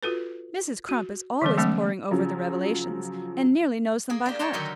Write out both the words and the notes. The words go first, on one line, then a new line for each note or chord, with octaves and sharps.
Mrs. Crump is always poring over the Revelations, and nearly knows them by heart.
F4 F#4 A4 B4
F#4
D3 E3 G3 B3 A4
E3 F#3 G#3 A3 B3 C#4
C#3 F3 F#3
A#3 G#4
D4 G4
C#5 D5 G5 A5 A#5 C6
D3 D#3 F#3 D#4 G4 A#4